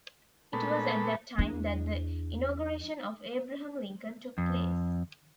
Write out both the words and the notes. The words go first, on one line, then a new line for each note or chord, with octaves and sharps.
It was at that time that the inauguration of Abraham Lincoln took place.
A#2 G#3 A3 B3 A4 B5
E2 D4
F2